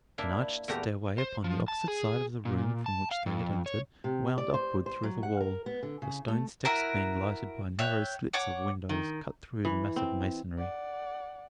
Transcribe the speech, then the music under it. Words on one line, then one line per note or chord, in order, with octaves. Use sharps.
An arched stair-way upon the opposite side of the room from which they had entered wound upward through the wall, the stone steps being lighted by narrow slits of windows cut through the massive masonry.
A#3 D4 E4
E2 A#2 A3 F#4 G4 A#5
C5
F3
A5
G#4
A#2
A5
F5
F2
C#5
C3
D5
C5
C5
F#3
F#5
A#4
B3
D3
C#3
A3
E4 F#4 A#4
C#5 E5 G5 F#6
C#5 F#5 D6
D#3
E3
C4
D5 F#5